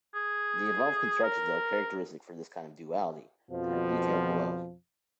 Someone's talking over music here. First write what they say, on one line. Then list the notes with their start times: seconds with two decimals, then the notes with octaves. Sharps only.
The involved constructions are characteristic for this kind of duality, and are detailed below.
0.15 G#4
1.23 A#4
3.51 F2 B2 F3